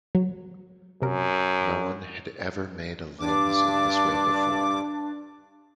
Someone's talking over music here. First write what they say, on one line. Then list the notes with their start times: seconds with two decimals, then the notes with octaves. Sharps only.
No one had ever made a lens in this way before.
0.15 F#3
1.02 F#2 C3 A#4
3.20 G2 D4 D6